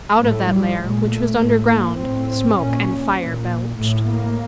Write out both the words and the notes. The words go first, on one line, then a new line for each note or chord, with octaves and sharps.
Out of that lair, which was underground, smoke and fire belched.
A2 A3
G3
A#2 G#3
A3
A2
A#3
A2 C4
A#2 C#4
A#2
A2
A#3